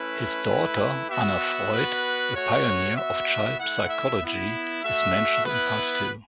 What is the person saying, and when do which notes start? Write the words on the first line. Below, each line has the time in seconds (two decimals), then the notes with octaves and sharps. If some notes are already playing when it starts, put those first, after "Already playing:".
His daughter Anna Freud, a pioneer of child psychology, is mentioned in part two.
Already playing: A3 C#4 E4 B4
0.48 A3 E4
1.10 B3 F#4 E5
1.72 B3 F#4 B4
2.34 A3 F#4 C#5
2.96 B3 F#4 E5
3.59 A3 E4 F#5
3.90 E5
4.22 B3 E4
4.84 A3 F#4 E5
5.46 B3 E4 B4